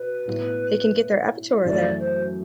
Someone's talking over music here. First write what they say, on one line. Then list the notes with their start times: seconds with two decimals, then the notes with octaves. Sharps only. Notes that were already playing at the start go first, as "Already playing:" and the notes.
They can get their Abitur there.
Already playing: B2 B4
0.27 A2 G3 B3
1.65 F#2 E3 A3 D5
1.99 C5